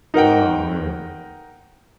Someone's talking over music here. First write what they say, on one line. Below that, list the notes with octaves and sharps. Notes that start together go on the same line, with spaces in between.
Oh, man.
D#4 A#4 F#5 G5